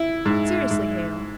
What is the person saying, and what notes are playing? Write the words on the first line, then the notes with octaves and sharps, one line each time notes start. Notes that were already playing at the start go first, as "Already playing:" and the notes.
Seriously, Hale!
Already playing: E4
G#2
G#2